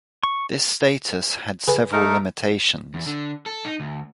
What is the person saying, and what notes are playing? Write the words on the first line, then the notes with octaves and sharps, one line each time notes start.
This status had several limitations.
C#6
G#4 B4 G#5
A3 D#4 A#4
E2
D3
A4
D#4
D2